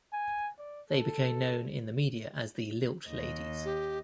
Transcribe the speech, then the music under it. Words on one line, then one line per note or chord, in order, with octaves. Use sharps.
They became known in the media as the "Lilt Ladies".
G#5
D5
A4
D#2 D#5
G4